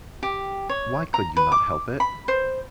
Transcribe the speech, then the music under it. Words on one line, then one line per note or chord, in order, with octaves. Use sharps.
Why could you not help it?
G4
C#5
A#5
B4
D6
B5
C5